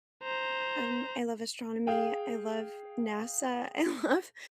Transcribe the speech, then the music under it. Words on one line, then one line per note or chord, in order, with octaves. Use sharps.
Um, I love astronomy, I love NASA, I love
C5 A#5
G#4 F5 G5